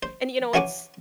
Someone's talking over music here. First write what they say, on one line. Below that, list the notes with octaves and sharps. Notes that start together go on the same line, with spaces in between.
and you know, it's
C5
E3 C#4 F#4 F#5 G#5 D6